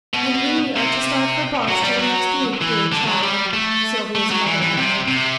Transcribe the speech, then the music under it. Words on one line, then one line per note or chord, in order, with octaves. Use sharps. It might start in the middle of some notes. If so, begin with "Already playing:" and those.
"And we are to start for Boston next week, dear child," Sylvia's mother added.
B2
C3
F#3
G3
F#3
E3
D3
F#3
G3
A3
A3
F#3
E3
E3
C3
C3